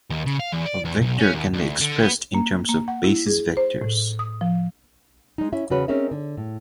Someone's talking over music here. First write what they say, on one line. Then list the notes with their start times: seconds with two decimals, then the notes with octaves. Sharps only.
A vector can be expressed in terms of basis vectors.
0.10 D#2
0.26 C#3
0.40 F5
0.53 E2
0.66 D5
0.85 E2
1.01 B1
1.19 C#4
1.33 D#2
1.54 D2
1.81 D3
2.03 B3
2.34 A#3
2.69 A#3
2.88 F#5
3.04 E4
3.27 G#4
3.57 C5
3.81 A2
4.19 D#6
4.41 F3
5.38 G#3 D#4
5.52 C#4 E4 E5
5.70 E2 C#3 F#4 B4 C#5
5.88 C4 C#4 D#4 G#4 A#4 E5
6.11 D3
6.37 A2